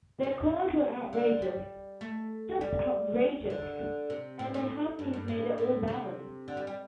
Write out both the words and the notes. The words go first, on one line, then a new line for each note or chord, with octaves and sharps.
Their chords were outrageous, just outrageous, and their harmonies made it all valid.
C3
D3
G3
A3
G3
D3
C3
A2
A2
G2
G2
A2
A2
C3
D3
G3
G3